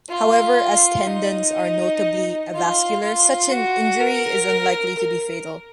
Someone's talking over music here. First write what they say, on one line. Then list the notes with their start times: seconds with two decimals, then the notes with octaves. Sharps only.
However, as tendons are notably avascular, such an injury is unlikely to be fatal.
0.09 F4
1.07 D#4
2.54 F4
3.03 F4
3.51 F#4
4.00 A#4
4.98 A#4